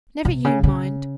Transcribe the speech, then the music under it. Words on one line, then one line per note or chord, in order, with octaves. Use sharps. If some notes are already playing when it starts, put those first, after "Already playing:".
'Never you mind.
C3
C#3
C#3